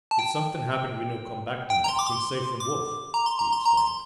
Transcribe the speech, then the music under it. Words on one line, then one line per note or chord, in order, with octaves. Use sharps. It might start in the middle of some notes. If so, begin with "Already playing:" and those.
"If somethin' happen we no come back to-night heem safe from wolf," he explained.
A5
G5
G5
A#5
C6
D6
C6
D6
A#5
C6
A#5
C6
A#5
C6